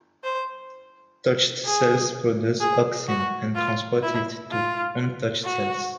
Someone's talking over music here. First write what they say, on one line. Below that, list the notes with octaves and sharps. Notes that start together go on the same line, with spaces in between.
Touched cells produce auxin and transport it to untouched cells.
C5
G#4
G#4
F#4
F4
E4
F4
F#4